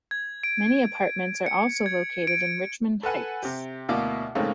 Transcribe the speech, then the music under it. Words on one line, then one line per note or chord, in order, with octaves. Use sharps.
Many apartments are also located in Richmond Heights.
G#6
D7
C#7
G#6
D7
A4 B4 F#5 G#5
C3 G4
D2 B2 A#3 E4 E5 D6
A1 G#2 C#3 A#3 C4 A4